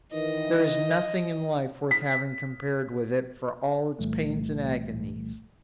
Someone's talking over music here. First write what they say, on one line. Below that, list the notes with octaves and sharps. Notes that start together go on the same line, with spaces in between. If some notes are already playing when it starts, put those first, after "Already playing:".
There is nothing in life worth having compared with it for all its pains and agonies.
D#3 E3 D#5
B6
C2 A#2 E3 G3 A3